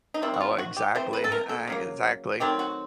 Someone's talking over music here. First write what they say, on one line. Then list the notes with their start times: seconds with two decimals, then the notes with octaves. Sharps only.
Oh exactly, I exactly.
0.14 D#4
0.22 D#3 G3 C4 E4
0.34 F#4
0.40 F4
0.58 F#4
0.77 G4
0.95 E3 A3 C4 C5
1.13 B4
1.24 A4
1.32 A#4
1.49 A4
1.67 C#3 F#3 A#3
2.40 D#3 F#3 A3 C4 G4
2.59 F#4